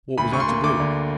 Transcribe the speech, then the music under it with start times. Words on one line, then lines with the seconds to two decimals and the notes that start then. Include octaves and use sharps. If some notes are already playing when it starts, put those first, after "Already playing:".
What was I to do?
0.18 D2 B5
0.32 D2 C#6
0.40 C6
0.48 A#3
0.64 D2 D6
0.80 D3